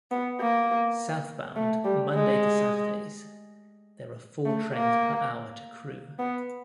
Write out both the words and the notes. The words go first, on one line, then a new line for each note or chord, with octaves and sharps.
Southbound Monday to Saturdays there are four trains per hour to Crewe.
B3
A#3
A3
G3
G#3
A3
A#3
B3